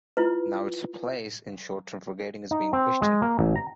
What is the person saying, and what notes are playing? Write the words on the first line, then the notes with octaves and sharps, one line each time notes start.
Now, its place in short term forgetting is being questioned.
E4 F4 B4
D#4
C4
G#3
A#3
A1
A#5